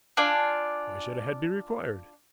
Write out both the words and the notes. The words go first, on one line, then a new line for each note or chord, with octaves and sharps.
Why should a head be required?
D4 F4 D5 G#5